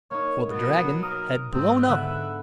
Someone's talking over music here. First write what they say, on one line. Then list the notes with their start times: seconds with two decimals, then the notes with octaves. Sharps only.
For the dragon had blown up.
0.11 A#3 D#4 C#5
0.49 B2 F#3 B3
1.03 A#4 D#6
1.53 G#2 C4
1.88 D3 B3 E5 F#5 E6 F#6